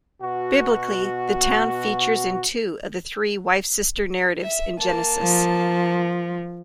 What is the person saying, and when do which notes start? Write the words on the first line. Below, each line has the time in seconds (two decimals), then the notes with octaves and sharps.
Biblically, the town features in two of the three Wife-sister narratives in Genesis.
0.22 B2 F#4
4.42 E5
4.79 A#3 A5
5.21 F3